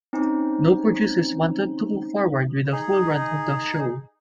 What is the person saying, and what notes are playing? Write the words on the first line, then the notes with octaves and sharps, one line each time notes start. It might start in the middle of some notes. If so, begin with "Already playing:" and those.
No producers wanted to move forward with a full run of the show.
C4 C#4 D#4 C5
D#4 G#4